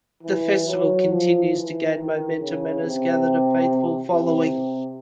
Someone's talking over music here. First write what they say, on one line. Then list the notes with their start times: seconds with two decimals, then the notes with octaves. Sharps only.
The festival continues to gain momentum and has gathered a faithful following.
0.23 E3
0.65 F#3
1.09 F3
1.52 E3
1.94 D#3
2.38 C#3
2.81 C3
4.09 C3